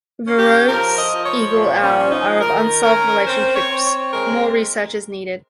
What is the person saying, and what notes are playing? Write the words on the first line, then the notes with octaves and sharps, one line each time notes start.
Verreaux's eagle-owl - are of unresolved relationships, more research is needed.
C#4
G4
F3 A#4
D#5
F3
C#5
A#2
C#4
F3
D#4
D#3 A#4
C#4 A#4
C4 C5
C#5
C4
C#5
G#3 A#4